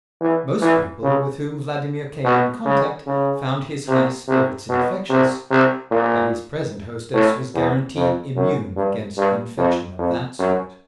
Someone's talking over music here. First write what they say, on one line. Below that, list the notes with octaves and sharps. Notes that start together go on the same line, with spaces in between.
Most people with whom Vladimir came in contact found his high spirits infectious, but his present hostess was guaranteed immune against infection of that sort.
E3
E3
C#3
B2
C#3
C#3
C3
C3
B2
C3
C3
A#2
A2
E2
F2
F#2
G2
G2
F2
F2
F#2